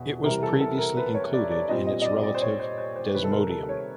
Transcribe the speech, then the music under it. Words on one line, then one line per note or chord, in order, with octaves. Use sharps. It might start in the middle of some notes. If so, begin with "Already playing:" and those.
It was previously included in its relative "Desmodium".
Already playing: E2 B2
C3 E3 G3 A#4
A4
A4
A#4
B4
C#5
D5
D5
A#2 G3 C4 D#5
D#5
D#5
D5
D5
C5
C#5
C5
C5
C5
C3 D#3 G3 B4
A4
A#4
A4
C#5